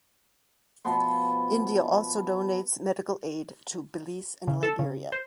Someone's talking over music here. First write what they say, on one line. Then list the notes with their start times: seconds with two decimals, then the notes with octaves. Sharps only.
India also donates Medical aid to Belize and Liberia.
0.85 B2 F3 B3 C6
4.47 C#3
4.63 A4
4.79 C#3
5.12 C5